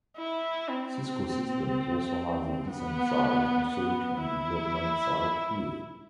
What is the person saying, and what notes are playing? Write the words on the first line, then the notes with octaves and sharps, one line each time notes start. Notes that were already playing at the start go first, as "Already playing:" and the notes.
Cisco Systems also has a decent sized Research and Development site here.
E4
C4
B3
B3
E4